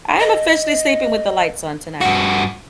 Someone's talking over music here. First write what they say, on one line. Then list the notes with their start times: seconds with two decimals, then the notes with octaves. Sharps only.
I am officially sleeping with the lights on tonight.
0.20 D#5
2.01 G2 F#4 F#5